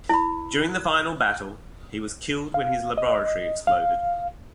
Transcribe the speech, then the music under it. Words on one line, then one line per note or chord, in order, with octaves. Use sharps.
During the final battle, he was killed when his laboratory exploded.
E4 B5
F5
D#5
F5